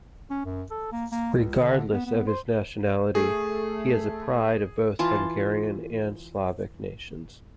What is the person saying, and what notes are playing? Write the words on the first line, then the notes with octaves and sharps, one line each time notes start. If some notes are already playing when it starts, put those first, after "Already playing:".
Regardless of his nationality, he is a pride of both Hungarian and Slovak nations.
C#4
F#2
A4
A#3
A#3
C#2
D3
B3
B3
C5
A3 G#4
E3 F4 A5